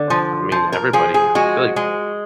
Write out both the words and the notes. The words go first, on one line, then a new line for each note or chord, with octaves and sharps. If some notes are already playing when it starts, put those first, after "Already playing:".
I mean, everybody. I feel like
Already playing: D3
F3
F3
A#4
F3 G#4
G#4
G#3 F#4
G#3